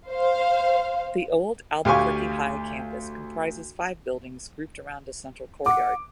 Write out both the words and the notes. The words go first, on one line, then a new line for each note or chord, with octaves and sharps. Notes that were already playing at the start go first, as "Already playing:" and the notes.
The Old Albuquerque High campus comprises five buildings grouped around a central courtyard.
C5 F5
D2 G4 F5 G#5 C#6
F#5 D6